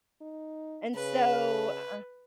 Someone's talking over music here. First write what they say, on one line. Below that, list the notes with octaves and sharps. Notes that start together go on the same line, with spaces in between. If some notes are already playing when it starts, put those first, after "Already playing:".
And so, uh
D#4
C#3 B4